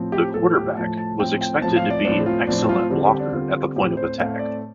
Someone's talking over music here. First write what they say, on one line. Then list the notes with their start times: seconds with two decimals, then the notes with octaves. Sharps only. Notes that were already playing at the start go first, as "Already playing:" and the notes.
The quarterback was expected to be an excellent blocker at the point of attack.
Already playing: A2 F3 C4
0.12 G4
0.34 A2 F3 A3 A4
0.55 G4
0.76 A2 F3 A3 A5
0.97 A5
1.19 A2 F3 C4 G5
1.41 G5
1.62 A2 F3 C4 A5
1.76 F5
1.90 D5
2.05 A2 F3 C4 D4
2.26 F4
2.47 A2 F3 C4 D4
2.69 F4
2.90 D3 G3 C4
3.05 G4
3.19 D4
3.32 D3 G3 C4 F4
3.76 A2 A3 C4 G4
3.97 C5
4.18 A2 A3 C4 F5
4.39 D5